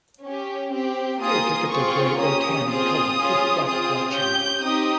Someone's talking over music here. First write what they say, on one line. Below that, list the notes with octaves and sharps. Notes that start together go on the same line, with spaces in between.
They are typically grey or tan in color, with black blotching.
C#4 G4
C4 G4
A#3 F4 G#4 D#6
C4 F4 G#4 C#6
A#3 C#4 G4 D#6
C4 F4 G#4 D#6
C#4 F4 G#4
C4 F4 G#4 D#6
C#4 G4 G6
C4 D#4 G4 D#6